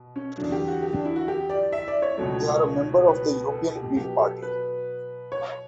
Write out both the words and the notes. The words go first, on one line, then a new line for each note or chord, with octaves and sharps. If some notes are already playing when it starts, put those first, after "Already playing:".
They are a member of the European Green party.
Already playing: B2
C#4
E2 D3 F#3 D4
G4
F#4
G4
D4
E4
F#4
G4
D5
E5
D5
C#5
C#2 B2 F#3 A3
B4
A4
G4
B2 F#3 B3 G4
A4
B4
C#5